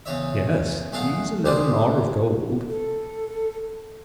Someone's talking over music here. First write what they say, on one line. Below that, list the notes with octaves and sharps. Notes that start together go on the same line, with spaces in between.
Yes, these eleven are of gold.
E2 C#3 C#5 E5
E2 A3 G#4 A4 F5 F#5
G4 G#4 B4 C5 D5
A4